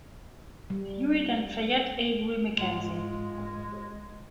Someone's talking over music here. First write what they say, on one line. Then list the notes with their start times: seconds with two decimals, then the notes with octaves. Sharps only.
Hewitt and Fayette Avery McKenzie.
0.70 G3
2.57 G#2 G#3 F4